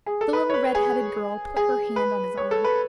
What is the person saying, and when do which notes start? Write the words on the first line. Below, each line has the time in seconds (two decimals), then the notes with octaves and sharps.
The little red-headed girl put her hand on his arm.
0.06 G#4
0.21 A4
0.33 B4
0.50 C#5
0.54 B4
0.75 G#4
1.56 G#4
1.96 B4
2.37 C#5
2.51 A4
2.64 B4